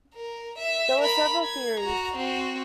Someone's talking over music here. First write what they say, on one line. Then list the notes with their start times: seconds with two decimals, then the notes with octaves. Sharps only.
There were several theories.
0.15 A#4
0.58 E5
1.01 A#4 B5
1.45 G#6
1.80 F#4 A#5
2.16 C4 F#4